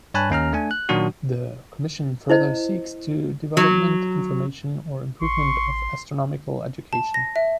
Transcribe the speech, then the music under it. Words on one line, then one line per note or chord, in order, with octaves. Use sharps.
The Commission further seeks to development, information or improvement of astronomical education.
G2 C#5 G#5 A5 B5 F#6
D#2 C#4 A#5 F6
A3 D4 G#5
F#6
A#2 D#3 F#3 D4 F#4
E4 C5 D#5
F#3
A1 C6 C#6
A5
A#6
E5